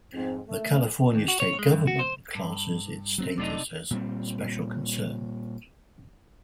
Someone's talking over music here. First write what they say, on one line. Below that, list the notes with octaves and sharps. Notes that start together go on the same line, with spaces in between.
The California State Government classes its status as "Special Concern".
F2 G#2 C4
A3
D#2
F#4
C#5
G#3
G2
F#4
C5
G2
F#3 B3 C4
F1 C3 F#3 A3 D4 D#4
A#2 G3 C4